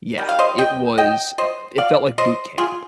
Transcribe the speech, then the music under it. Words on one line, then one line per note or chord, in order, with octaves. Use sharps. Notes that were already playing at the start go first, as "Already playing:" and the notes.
Yeah. It was, uh It felt like boot camp.
D#3 G3
F5
C5 D#5
D#5 G5
D#5 G5
C5 D#5
D5 F5
C5 D#5
F4 G#4